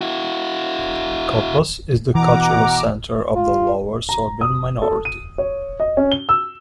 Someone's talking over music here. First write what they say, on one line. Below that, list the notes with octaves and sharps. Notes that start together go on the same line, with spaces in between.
Cottbus is the cultural centre of the Lower Sorbian minority.
E4 F#4
B2 E3 F#5 A#5 D6
F4
A#5
D#6
A4
D#7
C#5
D#5
C#4
G7
E6